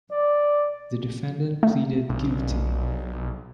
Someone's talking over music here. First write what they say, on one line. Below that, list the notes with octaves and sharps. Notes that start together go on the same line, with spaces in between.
The defendant pleaded guilty.
D5
A3
B1